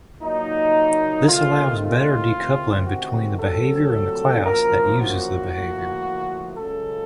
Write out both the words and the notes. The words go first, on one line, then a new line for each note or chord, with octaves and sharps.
This allows better decoupling between the behavior and the class that uses the behavior.
A#2 F#3 A#3 D#4
D#2 D#3 A3 C4 F4
F4
C#2 C3 D#3 A3 C4
F#4
C2 A#2 F#3 A3 C4 A4
F#2 F3 A#3 A#4
F#4
A2 F3 A#3
C#2 C#3 F#3 A4